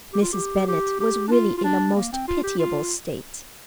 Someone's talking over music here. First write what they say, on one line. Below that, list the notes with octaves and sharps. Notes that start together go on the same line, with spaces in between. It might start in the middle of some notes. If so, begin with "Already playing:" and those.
Mrs. Bennet was really in a most pitiable state.
G4
F4
G4
G4
G4
D4
F4
F4
D4
A#3
C4
F4
G4
F4